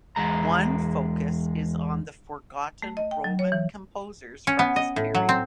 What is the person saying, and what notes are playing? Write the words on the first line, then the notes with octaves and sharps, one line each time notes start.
One focus is on the forgotten Roman composers from this period.
E2 G#3 A#5
A3
D#5
G5
F#3
C#5
E3
C#4
B3
D#5
A2
F#3
C4